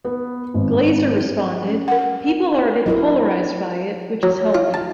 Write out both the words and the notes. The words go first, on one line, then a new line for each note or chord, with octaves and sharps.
Glazer responded, "People are a bit polarised by it, which is healthy".
B3
G#1
C#4
A#4 F#5
F#3 E4 A#4 D#5
F#3
F4
A5